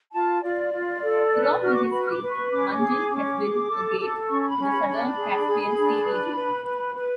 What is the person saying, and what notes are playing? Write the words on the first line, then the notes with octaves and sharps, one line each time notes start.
Throughout the history Manjil has been a gate to the southern Caspian Sea region.
F4 A5
F4 D5
F4
A4
B4
F#4 F6
D6
C#6
B4 B5
F6
D6
B4
C#6
C#4 D6
D6
G#4
D6
C#4 D6
G#4
A4
A4
C#4 C#6
C#6
B5
C#4
B5
D4 B5
G#4
G#4
D4
B4
B4
B4
B4